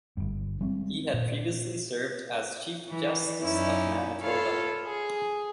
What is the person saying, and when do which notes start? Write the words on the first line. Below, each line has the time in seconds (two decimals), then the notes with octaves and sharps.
He had previously served as Chief Justice of Manitoba.
0.17 G1 G2
0.61 G3 G#3 C4
1.14 A#2
2.90 E3
3.40 F#2 C#4 D#4 E4 D5
4.21 F4 A4 C#5 F5 B5
4.85 G#4